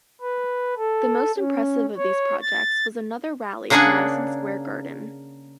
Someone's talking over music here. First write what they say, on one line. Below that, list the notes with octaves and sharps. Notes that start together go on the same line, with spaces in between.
The most impressive of these projects was another rally at Madison Square Garden.
B4
A4
C#4
C#5
A6
C#3 A#3 D4 G#4 F#5 G#5